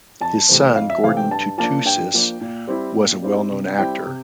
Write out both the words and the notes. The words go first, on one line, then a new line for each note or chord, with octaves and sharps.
His son Gordon Tootoosis was a well-known actor.
F2 A5
C3 E3 A3 C4
F2 F5
E5
C3 E3 A3 C4 F5
G5
G2 A5
F3 A#3 D4 A5
G2 G5
F3 A#3 D4
A#2
G3 C4 E4
A#2
G3 C4 E4
C3
G3 C4 E4 G5
C3